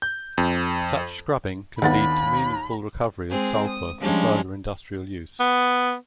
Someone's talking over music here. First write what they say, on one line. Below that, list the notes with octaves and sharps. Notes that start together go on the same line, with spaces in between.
Such scrubbing can lead to meaningful recovery of sulfur for further industrial use.
G6
F2
D#2 D3 E3 B3 B5 A6
G#3 C4 G#4
D#6
F3 G3 G#3 C#4 D4
B3